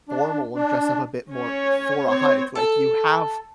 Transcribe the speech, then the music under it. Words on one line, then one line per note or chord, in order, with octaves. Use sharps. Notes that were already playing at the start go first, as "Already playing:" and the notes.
formal and dress up a bit more for a hike. Like, you have
D4
D4
C#4 C#5
C4 C#5
A4